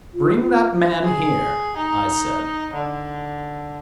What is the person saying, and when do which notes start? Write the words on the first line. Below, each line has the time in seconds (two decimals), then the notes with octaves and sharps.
"Bring that man here," I said.
0.14 F4
0.40 F4
1.04 G#4
1.77 D#4
2.74 D3